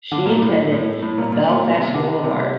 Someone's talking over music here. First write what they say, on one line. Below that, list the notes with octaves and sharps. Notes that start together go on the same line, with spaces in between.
She attended the Belfast School of Art.
D3
A#2
A2
A2
A2
A#2
A#2
A#2
A#2
C3
D3
C3